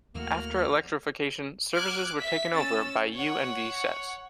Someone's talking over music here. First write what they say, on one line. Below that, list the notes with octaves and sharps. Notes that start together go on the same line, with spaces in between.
After electrification, services were taken over by U and V sets.
D#2 E3 A3 A#3 F#4 F6
D6 F6 F#6 G#6
E5 B6
C#4 E6 A6
C#5 F#5